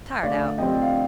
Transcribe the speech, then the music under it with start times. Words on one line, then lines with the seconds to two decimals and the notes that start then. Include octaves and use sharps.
Tired out.
0.23 D2 D5 F5
0.58 C3 F3 C4 D#5 G5
0.82 F5